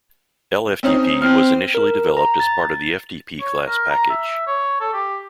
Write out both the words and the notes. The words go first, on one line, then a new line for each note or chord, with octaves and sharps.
Lftp was initially developed as part of the ftpclass package.
C4 C#4 D#4
C4 F6
A#4
A#5
A6
C#5
A#4
A#5
E5
C#5
A4
G4